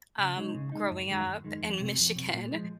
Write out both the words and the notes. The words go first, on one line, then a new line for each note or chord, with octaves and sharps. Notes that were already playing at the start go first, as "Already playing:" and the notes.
um, growing up in Michigan
C#3
G#3 D#4
C#3
G#3 D#4
F#2
D#3 G#3
F#2
D#3 G#3
F2
C3 F#3
F2
C3 F#3
A#2
F3 G#3